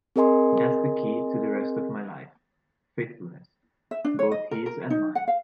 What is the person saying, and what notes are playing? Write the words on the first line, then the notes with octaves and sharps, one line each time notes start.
That's the key to the rest of my life: faithfulness, both His and mine.
C4 G#4 A#4 D#5 G#5 C6
E5
D4
C#5
D#5
A#4
A#4
D#4
F#5
F5